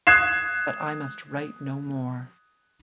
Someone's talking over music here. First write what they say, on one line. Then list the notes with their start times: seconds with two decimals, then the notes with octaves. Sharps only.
But I must write no more.
0.07 D#6 F#6 G#6 C7 E7